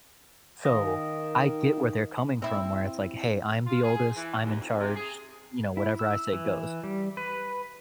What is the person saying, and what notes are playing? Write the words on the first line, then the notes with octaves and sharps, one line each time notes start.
So, I get where they're coming from where it's like, "Hey. I'm the oldest. I'm in charge," you know, "Whatever I say goes."
D#3 F5 D#6 A#6
C4 E4
F4
G#4
E3
D#2
F2
C3
G#4
E4
E6
E3
G3
B4